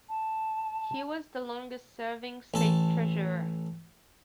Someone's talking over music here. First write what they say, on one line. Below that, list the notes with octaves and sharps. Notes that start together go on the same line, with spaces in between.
He was the longest-serving state treasurer.
A5
A1 A4 A5